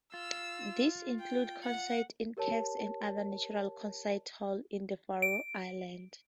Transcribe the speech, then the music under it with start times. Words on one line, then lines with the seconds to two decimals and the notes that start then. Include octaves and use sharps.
These include concerts in caves and other natural "concert halls" in the Faroe Islands.
0.14 F4 E6
1.20 G5
1.64 F#5
2.37 G4 A#4 C#5 A5
5.22 D7